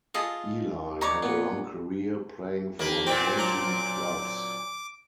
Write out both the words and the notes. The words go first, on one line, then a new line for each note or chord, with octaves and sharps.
Ilie had a long career, playing for nineteen clubs.
F4 G#4 A4 D#5
D#4 C#5 D5 A#5
A#2 B3
D#2 A#3 B4
A#2 C4 G5 D6
F#3 D4 A#5